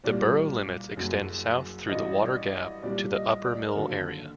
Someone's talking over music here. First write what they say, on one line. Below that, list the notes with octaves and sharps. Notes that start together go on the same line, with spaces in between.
The borough limits extend south through the water gap to the Upper Mill area.
C2 A#2 G3 D5
F#1 F#2 F#3
A1 G2 F#3 D#5
D5
D#5
C2 A#2 G3 D5
D#5
D5
A#4
D#2 D3 F#3 A4